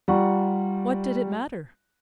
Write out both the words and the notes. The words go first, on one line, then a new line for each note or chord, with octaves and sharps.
What did it matter?
G3 F4 F#5 A#5 C#6